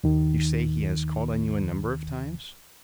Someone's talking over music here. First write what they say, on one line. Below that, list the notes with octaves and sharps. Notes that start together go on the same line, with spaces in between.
"You say he has called on you a number of times?"
D#2 D#3